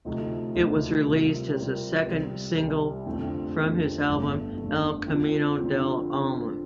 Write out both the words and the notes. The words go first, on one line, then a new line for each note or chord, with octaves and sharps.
It was released as the second single from his album "El Camino del Alma".
D2 C3 F3 A3 D#4
D2 C3 F3 A3 D#4
C3 G3 C4 F4 A#4
C3 G3 C4 F4 A#4
C2 C3 G3
C2 C3 G3
F2 D3 F3 A3 C4
F2 D3 F3 A3 C4
G1 F2 D3 A3
G1 F2 D3 A3
D3 F3 C4 F4
D3 F3 C4 F4